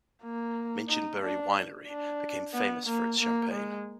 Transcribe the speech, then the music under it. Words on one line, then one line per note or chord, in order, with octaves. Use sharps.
Minchinbury Winery became famous for its champagne.
A#3
D#4
D4
D4
B3
A#3
A#3
G#3